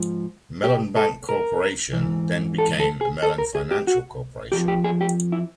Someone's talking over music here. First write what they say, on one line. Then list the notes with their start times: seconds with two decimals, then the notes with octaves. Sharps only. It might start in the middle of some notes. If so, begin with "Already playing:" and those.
Mellon Bank Corporation then became Mellon Financial Corporation.
Already playing: G#2 F3
0.64 G4
0.96 A4
1.29 A#4
1.93 G#2 E3
2.58 A4
2.80 A4
3.01 G#4
3.23 A4
3.38 A#4
3.55 G#4
3.71 G4
3.87 F#4
4.52 F2 C3 F3 G4
4.68 G4
4.84 G#4
5.01 G4
5.32 E4